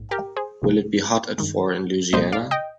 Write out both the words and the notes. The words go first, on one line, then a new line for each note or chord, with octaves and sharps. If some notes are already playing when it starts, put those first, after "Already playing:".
Will it be hot at four in Louisiana?
Already playing: A#1 G#2
G4 A#4
G#4 C5
C2 C3 F3 A#3
G2 D#3 G#3
C2 A#2 G3 A#3 C5 D#5
D5 F5
D#5 G5